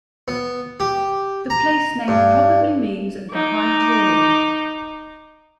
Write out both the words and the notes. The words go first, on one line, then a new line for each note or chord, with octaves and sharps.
The place name probably means "the high clearing".
B3
G4
A#5
G2
D#4 D6